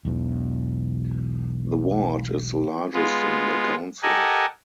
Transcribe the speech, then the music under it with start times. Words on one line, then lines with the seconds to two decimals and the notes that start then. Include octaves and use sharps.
The ward is the largest in the council.
0.05 E1 B1 E2
2.94 G#3 B3 F4
4.03 G4 A4 A#4 D#5 F#5 G#5